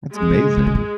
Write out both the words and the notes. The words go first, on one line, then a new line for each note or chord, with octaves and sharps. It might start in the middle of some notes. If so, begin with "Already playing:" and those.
That's amazing.
G#3
D#3
C#3
C#3
C3
A#2